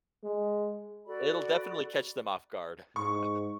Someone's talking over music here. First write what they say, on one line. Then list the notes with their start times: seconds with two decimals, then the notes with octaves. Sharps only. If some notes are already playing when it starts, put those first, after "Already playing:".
It'll definitely catch them off guard, uh
0.24 G#3
1.06 F#4 A4 D5 B5
2.96 G#2 C#6